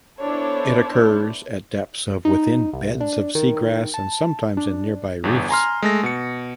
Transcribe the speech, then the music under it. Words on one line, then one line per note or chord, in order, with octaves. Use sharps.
It occurs at depths of within beds of seagrass and sometimes in nearby reefs.
B3 D4 E4 A4 C5 C#5
D#4
C2
D4
D#3
A5
D4
G1 E2
G#5 A#5 C6 F6
G#3 A3 A#6
B2 C#7